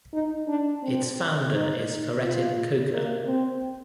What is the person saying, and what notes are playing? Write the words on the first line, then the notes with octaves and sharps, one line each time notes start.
Its founder is Fahrettin Koca.
D#4
D4
C4
D#4
F4
A#3
C4